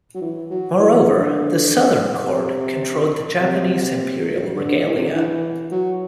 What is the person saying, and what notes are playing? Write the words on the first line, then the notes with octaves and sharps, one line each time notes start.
Moreover, the Southern Court controlled the Japanese imperial regalia.
F#3
E3
F#3
E3
D3
C3
C3
D3
E3
C3
D3
E3
F#3